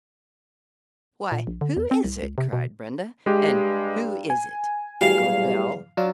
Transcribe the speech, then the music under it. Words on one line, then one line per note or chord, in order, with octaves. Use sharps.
"Why, who is it?" cried Brenda, and "Who is it?" echoed Belle.
A#2
A#1
D3
E2
C4
C2
C#2
C3
B2
G2 G#3 G4
G#5
E2 A2 F#3 G3 F5
F#3 D4 F4 A5